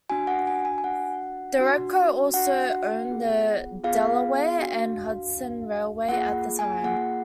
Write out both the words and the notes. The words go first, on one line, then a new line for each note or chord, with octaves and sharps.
Dereco also owned the Delaware and Hudson Railway at the time.
D4 F#4 G#5
F#5
G#5
G#5
G#5
D4 F#4 F#5
D4 F#4
D4 F#4 F#5
B3 F4 G#4
B3 F4 G#4 F5
D4 F#4
D4 F#4
A#3 F4 G#4 F#5
G#5
A#3 F4 G#4 F#5